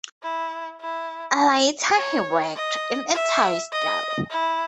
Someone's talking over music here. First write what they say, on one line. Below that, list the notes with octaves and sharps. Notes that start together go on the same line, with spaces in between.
Later he worked in a toy store.
E4
E4
C#5
D#5
E5
D#5
E4